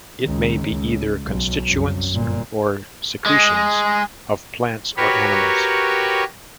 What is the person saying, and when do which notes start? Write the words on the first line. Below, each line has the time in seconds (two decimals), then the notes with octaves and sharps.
It may be either constituents, or secretions, of plants or animals.
0.21 C#2 D#3
0.68 C#2
1.26 B1
1.67 C2 F#2
2.11 G1 A#2
3.26 G#3
4.97 F#4 G4 A#4 B4 C#5 B5